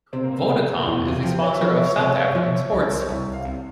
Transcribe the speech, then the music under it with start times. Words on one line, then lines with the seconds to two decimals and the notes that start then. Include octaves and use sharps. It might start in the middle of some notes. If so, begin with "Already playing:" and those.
Vodacom is a sponsor of South African sports.
0.13 C3 C4
0.24 A#3
0.35 C4
0.49 C3
0.82 F4
0.86 E2 E4
1.06 F4
1.23 F3 G4
1.42 C#5
1.53 E5
1.61 F3 C#5
1.76 E5
1.87 C#5
1.97 C3 E5
2.09 C#5
2.20 E5
2.31 F3 C#5
2.43 E5
2.54 C#5
2.72 C2
2.83 A#4
2.91 C5
3.00 C#5
3.09 C2 E5
3.33 F5
3.45 C2